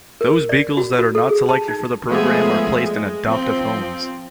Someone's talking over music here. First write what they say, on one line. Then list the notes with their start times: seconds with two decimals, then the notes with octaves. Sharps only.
Those beagles that are not selected for the program are placed in adoptive homes.
0.21 A#4
0.49 D5
0.77 F#4
0.99 F#4
1.15 A4
1.29 G#4
1.49 A5
1.68 D#4
2.09 F3 G#3 A3 B3 G#4 E5
2.84 G#3
3.25 F3 C4